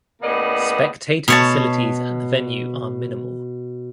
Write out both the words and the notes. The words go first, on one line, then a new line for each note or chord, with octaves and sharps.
Spectator facilities at the venue are minimal.
A2 C#3 A#3 B3 D5 D#5
B2 C#5 A5